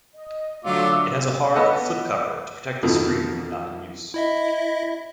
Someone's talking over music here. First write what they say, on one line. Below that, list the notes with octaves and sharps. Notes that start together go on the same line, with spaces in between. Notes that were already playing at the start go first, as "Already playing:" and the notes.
It has a hard flip-cover to protect the screen when not in use.
D#5
D3 F#3 A3 F4 F5 D6 E6
B3 A4 D#5 F#5
F2 B2 D3 D#3 F3 E4
E4 D#5 E5